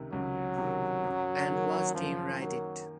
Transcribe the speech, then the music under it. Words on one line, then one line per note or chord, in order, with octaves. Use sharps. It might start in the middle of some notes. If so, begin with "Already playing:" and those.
And watched him write it.
Already playing: C#2 C3 D#3
C#2 F#3
C3 D#3
F#2
D#3 A#3
F#2 F3
D#3 F#3 A#3